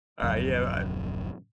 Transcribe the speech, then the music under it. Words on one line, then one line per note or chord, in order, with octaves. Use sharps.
alright, yeah, right
D#1 A#1 F#2 C#3